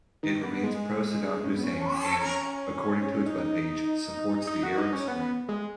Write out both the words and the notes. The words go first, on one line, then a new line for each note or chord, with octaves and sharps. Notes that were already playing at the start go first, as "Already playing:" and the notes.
It remains pro-Saddam Hussein and, according to its webpage, supports the Arab Spring.
D#3
B3
G#3
C#4
B3
C#4
C#4
D#4
D#4
F#4
D#4
C#4
B3
G#3